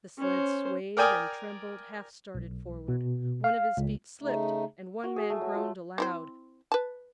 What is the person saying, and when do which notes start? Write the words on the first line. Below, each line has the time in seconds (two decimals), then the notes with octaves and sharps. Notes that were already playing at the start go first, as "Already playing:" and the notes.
The sled swayed and trembled, half-started forward. One of his feet slipped, and one man groaned aloud.
0.18 C#4 C5
0.97 A#4 D5 G5 G#5 D#6 F6
2.35 B1
2.88 B2
3.44 F5
3.77 C#2
4.22 C#3 A3 D#4
5.04 F#4
5.16 G#4
5.30 A3
5.41 F#3
5.55 F4
5.98 C4 E4 C5
6.72 B4 A5